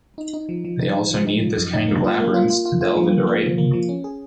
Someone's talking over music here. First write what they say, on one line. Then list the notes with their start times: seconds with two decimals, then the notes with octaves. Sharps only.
They also need this kind of labyrinths to delve into writing.
0.18 D#4
0.34 D#4
0.49 F3
0.65 F3
0.80 D#4
0.96 D#4
1.11 F3
1.27 D#4
1.42 F3
1.57 F#2
1.73 D#4
1.88 A#3
2.04 F4
2.20 A#3
2.34 F4
2.50 F4
2.65 F4
2.81 F4
2.97 F3
3.12 A#3
3.27 A#3
3.42 F3
3.58 A#3
3.73 F3
3.89 C#4
4.04 G#4